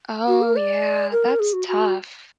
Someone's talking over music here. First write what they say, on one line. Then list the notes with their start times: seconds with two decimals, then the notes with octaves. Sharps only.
Oh, yeah, that's tough,
0.28 F#4
0.42 A#4
0.56 D5
1.12 A#4
1.40 G#4
1.53 F#4
1.68 F#4